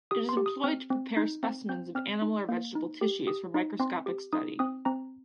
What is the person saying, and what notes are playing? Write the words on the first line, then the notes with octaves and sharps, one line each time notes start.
It is employed to prepare specimens of animal or vegetable tissues for microscopic study.
G4 D#6
C6
G4
D#6
C4 F6
C4
D#4 G6
C4
C4 G6
C4 F6
D#4
A#3
D#4
G4
G4 D#6
D#4
C4 C6
G4
D#4 D#6
C4 D#6
C4 A#5